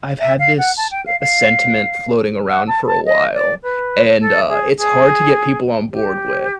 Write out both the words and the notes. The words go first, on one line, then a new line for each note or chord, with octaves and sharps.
I've had this, uh, sentiment floating around for a while, and, uh, it's hard to get people on board with.
E5
F5
F#5
A5
G5
F5
F5
F#5
A5
A5
D#5
D5
B4
A4
G#4
G#4
G4